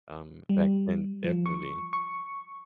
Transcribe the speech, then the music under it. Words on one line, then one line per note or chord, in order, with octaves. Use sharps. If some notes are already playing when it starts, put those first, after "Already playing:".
Um, back then, definitely.
G3
F3
C#6
C#6